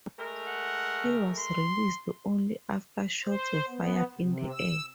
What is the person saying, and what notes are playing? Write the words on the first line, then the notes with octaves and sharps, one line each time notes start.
He was released only after shots were fired in the air.
G#3 A3 A#4
F#5
C6
C5
B3
C3
E6